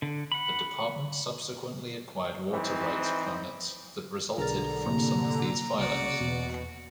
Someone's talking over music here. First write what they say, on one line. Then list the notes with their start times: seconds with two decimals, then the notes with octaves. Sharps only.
The department subsequently acquired water rights permits that resulted from some of these filings.
0.02 D3
0.32 F#5 B5
2.52 E3 C4 D#4
4.38 B1 D3 G#4 A#4 A#5 F6 A6
4.86 A2 C3 A#3
5.78 C2 C#3 F#4 D5
6.21 E2 B2